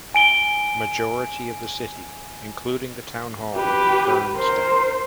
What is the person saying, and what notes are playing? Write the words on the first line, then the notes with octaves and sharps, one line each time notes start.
Majority of the city, including the town hall, burns down.
G#5 D7 G7
G4 B4
A#4 C5